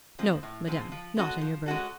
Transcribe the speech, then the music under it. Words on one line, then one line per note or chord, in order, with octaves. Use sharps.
"No, madame, not in your berth."
F3 G#3 C4
A2
F3 G#3 C4
F3
G#3 C#4 F#4 A4
F3
G#3 C#4 F#4 A4